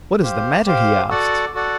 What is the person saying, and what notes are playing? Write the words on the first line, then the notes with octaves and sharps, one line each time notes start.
"What is the matter?" he asked.
G4 C5 F5
G4 C5 F5
F#4 A4 D5 F#5
F#4 A4 D5 F#5